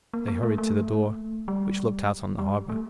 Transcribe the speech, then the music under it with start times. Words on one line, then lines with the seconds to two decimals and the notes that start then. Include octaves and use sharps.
They hurried to the door, which looked out on the harbour.
0.14 A#3
0.28 A#3
0.43 A3
0.58 A3
1.48 G3
2.39 G3
2.69 A3